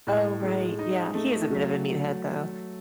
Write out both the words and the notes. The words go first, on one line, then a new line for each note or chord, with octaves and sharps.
Oh, right yeah, he is a bit of a meathead, though.
A2
G#3
D#4
A3
F#3